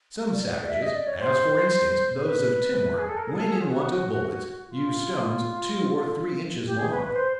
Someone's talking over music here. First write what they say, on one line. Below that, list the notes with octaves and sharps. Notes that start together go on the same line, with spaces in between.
Some savages--as, for instance, those of Timor--when in want of bullets, use stones two or three inches long.
A4
D5
D5
D5
E5
D#5
D5
C#5
C5
B4
G#4
A4
A#4
G#4
A4
G#4
F4
F#4
F4
G4
G#4
B4
B4
C5